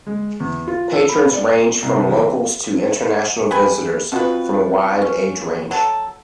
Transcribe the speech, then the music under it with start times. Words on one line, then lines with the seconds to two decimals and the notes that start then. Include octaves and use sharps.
Patrons range from locals to international visitors, from a wide age range.
0.07 G#3
0.40 E2
0.67 F4
0.93 A4
1.09 B5
1.33 D5
1.51 C7
1.82 C2
2.09 E3
3.51 G4 B4 G#5
4.12 B2 C4 F4 F#4 B4
5.02 C#4
5.71 F#3 A4